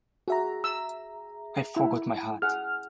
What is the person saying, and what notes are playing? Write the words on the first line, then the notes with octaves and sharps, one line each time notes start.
I forgot my hat.
F#4 G#4 E5 A#5
E6
E4
G#4 F#5 F6